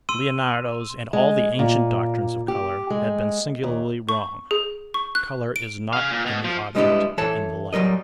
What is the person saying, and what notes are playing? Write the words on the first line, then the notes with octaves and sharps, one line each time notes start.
Leonardo's and all the ancient doctrines of colour had been singularly wrong; colour is not in the object but in the light.
C6 E6 D#7
G#3
A#2
G4
G#3
D#2
C#6
G#4
C#6
F#6
D7
G#4 F5
A#2
B2
F3
G3 G#3 B3 D4 E4 G4
E3 A4 C#5 A5
F#3 G3 A#4 D#5